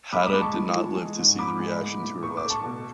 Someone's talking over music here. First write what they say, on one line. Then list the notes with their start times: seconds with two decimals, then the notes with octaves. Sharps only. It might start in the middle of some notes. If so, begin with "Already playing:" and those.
Hatta did not live to see the reaction to her last work.
0.13 G#3 B5 D6
0.27 B5 D6
0.33 G#3
0.41 A5 C#6
0.55 E3
0.76 E3
0.97 G#3
1.19 G#2
1.39 G#2 B5 D6
1.60 G#3
1.81 A2
2.03 A2
2.23 A2 C#6
2.37 D6
2.44 A3
2.50 A5 C#6
2.66 B2